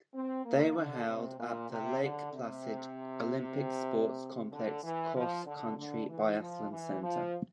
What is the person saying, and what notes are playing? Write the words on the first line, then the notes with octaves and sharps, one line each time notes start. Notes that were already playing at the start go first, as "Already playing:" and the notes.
They were held at the Lake Placid Olympic Sports Complex Cross Country Biathlon Center.
C4
A#3
D3
C3
A#2
C3
D3
C3
D3
E3
F3
D3
D3
E3
F3
E3
F3